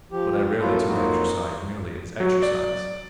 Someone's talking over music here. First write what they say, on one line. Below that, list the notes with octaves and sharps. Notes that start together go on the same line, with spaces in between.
But I rarely took exercise merely as exercise.
F3 G4
F#3 A3 A#3 E4 F4 A4
F2 F#3 A#3 C4 D#4 F#4
F#3
D5